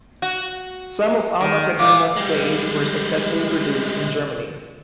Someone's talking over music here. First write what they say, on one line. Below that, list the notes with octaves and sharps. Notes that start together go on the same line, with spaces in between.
Some of Alma-Tadema's plays were successfully produced in Germany.
F#4
D#3
A#2 A3 D6
G3 G#3